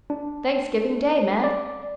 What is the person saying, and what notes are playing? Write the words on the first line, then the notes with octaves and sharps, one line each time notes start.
'Thanksgiving Day, man!
D4
D5